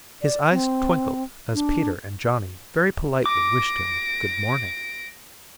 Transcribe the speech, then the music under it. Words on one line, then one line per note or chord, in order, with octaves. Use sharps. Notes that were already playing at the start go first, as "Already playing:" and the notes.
His eyes twinkled as Peter and Johnny very politely wished him good morning.
D5
C4
D4
D6 A#6 D7